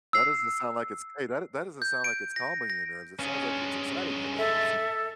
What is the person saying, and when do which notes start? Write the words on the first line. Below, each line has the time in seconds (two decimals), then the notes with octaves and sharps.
That doesn't sound like it's great that d that doesn't sound like it's calming your nerves. It sounds like it's exciting your nerves.
0.13 E6 C7
1.82 G6
2.04 D7
2.36 A#6
2.70 A#6
3.19 G2 G#3 C#4
4.38 A4 E5